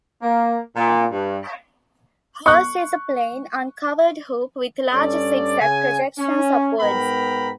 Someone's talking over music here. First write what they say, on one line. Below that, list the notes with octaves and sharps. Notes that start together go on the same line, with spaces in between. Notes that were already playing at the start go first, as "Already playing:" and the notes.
Hers is a plain uncovered hoop with large zig-zag projections upwards.
A#3
A#2
G2
C#6 F#6
G2 C#4 A4 D5
C#3 G#5
C#4
G#2 B3 A#4 G5 A#5 B5